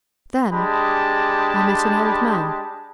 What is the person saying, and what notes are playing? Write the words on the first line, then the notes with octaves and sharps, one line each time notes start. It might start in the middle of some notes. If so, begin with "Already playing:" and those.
Then I met an old man.
G#3 D4 G4 A5 B5